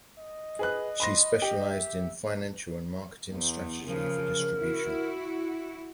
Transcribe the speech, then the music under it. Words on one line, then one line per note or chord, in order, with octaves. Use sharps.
She specialised in financial and marketing strategy for distribution.
D#5
G#4 B4 F#6
B5 C6 A#6
G4
E5
E2
C#3 F3 A#4
E4 F#4